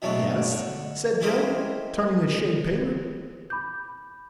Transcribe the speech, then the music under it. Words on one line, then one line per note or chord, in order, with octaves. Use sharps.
"Yes?" said Joe, turning a shade paler.
B2 E3 F#3 G#3 A3 D4
D3
E4 G4 G#4 A#4 C5 D#5
B5 D6 G6